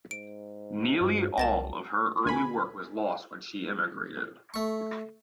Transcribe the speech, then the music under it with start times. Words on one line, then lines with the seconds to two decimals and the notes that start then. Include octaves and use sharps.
Nearly all of her early work was lost when she immigrated.
0.11 G#2 D7
1.01 G2
1.38 C2 A#4 G5 A5 A6 A#6
2.25 D2 G#5 B5
4.54 A3 C#6